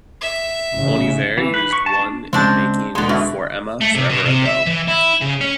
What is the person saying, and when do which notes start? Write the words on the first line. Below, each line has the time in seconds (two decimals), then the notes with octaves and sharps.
Bon Iver used one in making "For Emma, Forever Ago".
0.22 E5
0.74 A1 C#3
1.38 E3
1.54 B4
1.73 C#6
1.86 A5
2.00 D4
2.33 C#2 C4 D4 A5 G6
2.95 E1 D3 G#3 C6
3.09 B2 D4 E5
3.81 A3
3.95 C3
4.10 B2
4.26 C3
4.45 E5
4.66 E3
4.88 E4
5.21 C#3
5.41 C#4